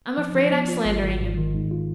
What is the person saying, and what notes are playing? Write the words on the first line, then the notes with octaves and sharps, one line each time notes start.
I'm afraid I'm slandering him.
F3
F3
B3
F4
G#1
G#1
G#2
D#3
G#2
F4